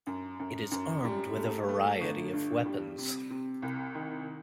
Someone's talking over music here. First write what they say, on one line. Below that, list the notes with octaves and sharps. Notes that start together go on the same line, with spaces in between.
It is armed with a variety of weapons.
F#2
F#2
F#2
G3
A3
A3
G1
G2
G3
C3
C3
C2
D#3